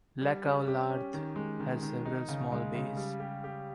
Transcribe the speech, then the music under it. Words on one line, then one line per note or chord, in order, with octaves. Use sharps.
Lac au Lard has several small bays.
G3
C#4
G4
C#4
D#3
G#3
D#3
D#3
D#4
C#3
G#3
C#3
G3
G4
G4